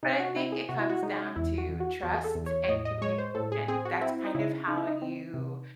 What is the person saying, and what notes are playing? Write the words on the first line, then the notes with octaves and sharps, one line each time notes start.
But I think it comes down to trust and communication, that's kind of how you
C3 D#4
F#4
C4 E4
G#4
C3 F#4
E4
F#4
G#3 D#4
E2 E4
F#4
E3
F#4
E2 F#4
G#4
A4
E2
C#5
C#5
A2 D#5
D#5
G#3 C#5
C5
A2 A4
G#4
C4 G#4
F#4
C4 E4
D#4
C#3 E4
C#3 D#4
E4
D#4
C4
C3